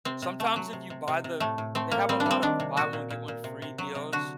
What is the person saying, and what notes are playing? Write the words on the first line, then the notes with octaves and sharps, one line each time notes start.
Sometimes if you buy the they have a lot of buy-one-get-one-free deals
C3 C4
C3
A3
F#3
C3
C3
C3
C3
A2 A3
A2
A3 C4
A2 A#3
G3 C4
D4
G3 C4
D#3 D4
C3
A#2 F#4
A#2
A#2
A#2
C3
C3
F#3
C3
D3 F#4